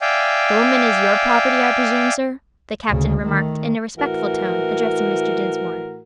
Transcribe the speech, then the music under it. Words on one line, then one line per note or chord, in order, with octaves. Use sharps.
"The woman is your property, I presume, sir?" the captain remarked in a respectful tone, addressing Mr. Dinsmore.
D5 E5 F5 G5 G#5
D2 C#3
D#3 A3
A2 E3 F#4 A#4